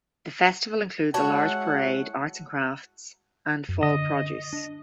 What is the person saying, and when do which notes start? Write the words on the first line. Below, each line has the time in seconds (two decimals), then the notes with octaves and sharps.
The festival includes a large parade, arts and crafts, and Fall produce.
1.14 G#3 E4 F#4 C#5 F#5 A5
3.69 F#2
3.83 D3 D#5
4.53 D4